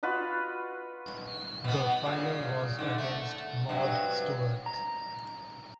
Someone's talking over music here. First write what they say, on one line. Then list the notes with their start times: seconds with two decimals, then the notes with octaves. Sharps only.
The final was against Maud Stuart.
0.03 F4 F#4 B4 D#5
1.64 B2 B3
2.05 A#2 C#3
2.79 G#2 D3
2.98 A3
3.69 G2 C3 F#3
4.66 A#5